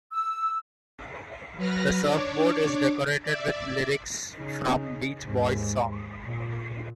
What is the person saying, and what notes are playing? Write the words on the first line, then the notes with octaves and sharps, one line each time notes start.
The surfboard is decorated with lyrics from Beach Boys songs.
E6
F#3 B4 F6 A#6
D4 C#5 D5
D5 E5
C#3 D#4
D#2 G#2
A#2